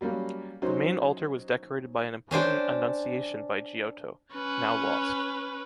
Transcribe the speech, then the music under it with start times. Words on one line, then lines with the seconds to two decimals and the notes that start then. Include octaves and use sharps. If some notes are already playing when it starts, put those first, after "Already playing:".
The main altar was decorated by an important “Annunciation” by Giotto, now lost.
0.01 F#3 G3 A#3 C#4
0.62 F#3 C#4 D#4 C5
2.31 C#4 D4 C5 G5
4.35 C#4 B4